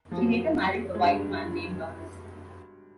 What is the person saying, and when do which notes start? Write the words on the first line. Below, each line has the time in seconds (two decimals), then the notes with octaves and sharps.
She later married a white man named Dorris.
0.11 F3
0.17 F#3
0.95 G#3
1.02 G2 G3